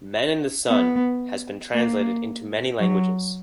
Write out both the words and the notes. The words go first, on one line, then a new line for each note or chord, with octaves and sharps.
"Men in the Sun" has been translated into many languages.
B3
A#3
F#3